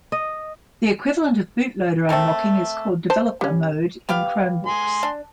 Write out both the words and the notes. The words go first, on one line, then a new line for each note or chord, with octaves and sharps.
The equivalent of bootloader unlocking is called developer mode in Chromebooks.
D#5
A3 C4 A4 A#4
C5 A5
G3 C#4
B3 G4 F5
G#5 C6
D4